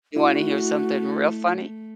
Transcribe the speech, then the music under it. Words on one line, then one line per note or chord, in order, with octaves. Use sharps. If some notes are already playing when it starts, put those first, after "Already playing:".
You wanna hear something real funny?
A3 E4 F#4